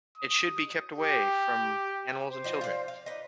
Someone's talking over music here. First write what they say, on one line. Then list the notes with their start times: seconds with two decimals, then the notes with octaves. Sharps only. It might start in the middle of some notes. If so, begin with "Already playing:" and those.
It should be kept away from animals and children.
0.18 D#6
0.97 G4
2.29 C5
2.44 F3 D#4 F#4
2.61 F4 D5
2.88 F5
3.06 D#4 B4 D5 D#5